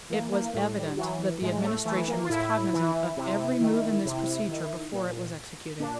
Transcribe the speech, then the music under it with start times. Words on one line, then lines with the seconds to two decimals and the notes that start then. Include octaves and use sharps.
It was evident that the Administration was cognizant of every move in this procedure before it was executed.
0.10 E3 A#3
0.32 A#3
0.53 A2 A3
0.76 G3
0.97 E3 F#3
1.42 A2 G#3
1.63 A3
1.85 E3 A3
2.08 A#3
2.23 F4
2.29 A2 E4
2.73 E3
3.17 C3
3.61 D#3
4.05 C3
4.49 D#3
4.93 A#2
5.79 A#2 D4